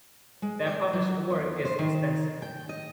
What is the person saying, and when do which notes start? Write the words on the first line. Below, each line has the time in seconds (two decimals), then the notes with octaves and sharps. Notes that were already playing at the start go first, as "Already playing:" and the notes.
Their published work is extensive.
0.42 G#3
0.66 D5
0.93 F#3
1.30 E2
1.65 C5
1.79 D#3
2.42 G5
2.69 D#5